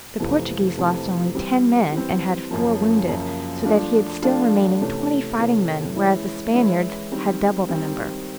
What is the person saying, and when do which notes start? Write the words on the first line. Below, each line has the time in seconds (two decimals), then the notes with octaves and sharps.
The Portuguese lost only ten men, and had four wounded; so that he had still remaining twenty fighting men, whereas the Spaniards had double the number.
0.20 F2 C3 E3 A3
0.77 F2 C3 E3 A3
1.35 E3 G3 C4
1.92 E3 G3 C4
2.50 F#2 C#3 F3 A#3
3.07 F#2 C#3 F3 A#3
3.65 F3 A3 D4 F4
4.23 F3 A3 D4 F4
4.81 C3 E3 A3 C#4
5.38 C3 E3 A3 C#4
5.96 E3 G#3 C#4 E4
6.53 E3 G#3 C#4 E4
7.12 D#3 G3 C4
7.69 D#3 G3 C4